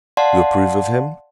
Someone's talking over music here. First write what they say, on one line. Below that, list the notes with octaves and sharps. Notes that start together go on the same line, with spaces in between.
"You approve of him?"
D5 F5 F#5 A5 C6